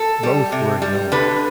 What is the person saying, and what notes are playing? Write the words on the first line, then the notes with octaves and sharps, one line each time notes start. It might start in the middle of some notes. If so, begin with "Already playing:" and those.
Both were ignored.
Already playing: A4
G3
C3
G3
D3 B4